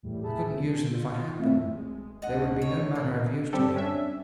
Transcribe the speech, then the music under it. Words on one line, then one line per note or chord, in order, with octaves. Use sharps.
I couldn't use them if I had them; they would be no manner of use to me.
E2 A2 G3
G#4 E5 A5 B5
D3
F4
A3 C4 E4 E5
B1 G#3
D2 D3 D#5 F#5
C#5
A#2 A#3
G3 C4 G4 A4
C#4 D4 E5